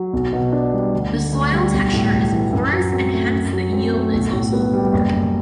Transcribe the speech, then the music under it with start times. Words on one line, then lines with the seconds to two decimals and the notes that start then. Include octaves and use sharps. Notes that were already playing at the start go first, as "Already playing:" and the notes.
The soil texture is porous and hence the yield is also poor.
Already playing: F#3
0.13 B1
0.33 B2
0.52 D4
0.73 G3
0.93 D2
1.13 D3
1.33 D2
1.53 G3
1.74 B1
1.93 A2
2.13 B1
2.33 E3
2.53 F#2
2.73 F#3
2.94 C4
3.13 A3
3.33 F#2
3.53 F#3
3.73 C4
3.94 A3
4.13 B1
4.33 A2
4.53 B3
4.73 G3
4.93 F#1
5.13 F#2